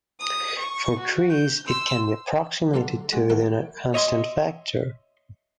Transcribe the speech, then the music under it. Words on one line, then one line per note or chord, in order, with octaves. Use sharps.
For trees, it can be approximated to within a constant factor.
D#6
C#6
F#4
G6
C6 E6
A1 D3 F#3 A4 A#5 C6
G#3 F#4
D#3 E3 A3 F#4 A#4
C#5 D#5 E5 B5 C6